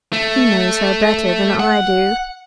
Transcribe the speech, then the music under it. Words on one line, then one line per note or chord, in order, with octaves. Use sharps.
"He knows her better than I do."
A3
F#5